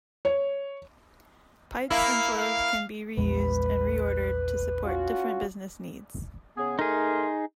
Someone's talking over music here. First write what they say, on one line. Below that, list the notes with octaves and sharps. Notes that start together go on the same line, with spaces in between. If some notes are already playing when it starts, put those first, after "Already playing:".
Pipes and flows can be reused and reordered to support different business needs.
C#5
A#3 E4 F5
F5
A#1 E2 G#3 B4
C#4 F4 F#4
C#3 B3 G#4
A3 D#4 G#4 A#4 C6